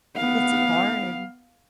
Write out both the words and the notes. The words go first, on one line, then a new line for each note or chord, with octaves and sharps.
it's hard.
B3 F5